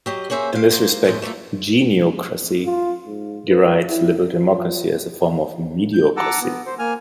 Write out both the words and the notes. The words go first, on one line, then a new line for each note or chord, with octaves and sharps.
In this respect, Geniocracy derides Liberal Democracy as a form of "Mediocracy".
F#3 G4 D#5
A#3 C#4 G#4 C5 E5
C5 F5
A#3 C5 D#5
D#2 A2 G#3 C5
A3 A#3 F4 A4
F4
G#2
B4
E4
F3
G6
F#5 A5 A#5 D6 E6
B3
C5
A#3 G#5 F6